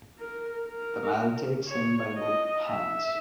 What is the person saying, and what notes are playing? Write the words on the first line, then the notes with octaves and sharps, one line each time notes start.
The man takes him by both hands.
A#4
A#4
C#5
D#5
E5